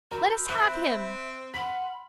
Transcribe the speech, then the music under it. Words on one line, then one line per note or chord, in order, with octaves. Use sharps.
Let us have him!'
F#4 A#4 B5 E6 G6
C4 E5 F#6
F#5 B5 C6 F6 B6